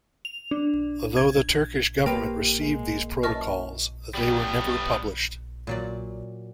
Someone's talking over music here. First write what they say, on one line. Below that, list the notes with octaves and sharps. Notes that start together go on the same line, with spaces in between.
Though the Turkish government received these protocols, they were never published.
F7
D4
G#6
F3 A#3 G4 B4 C#5 G5
G#3
F#2 E3 D#5 A5 C#6 F6
G3 B3
A#2 F#3 D5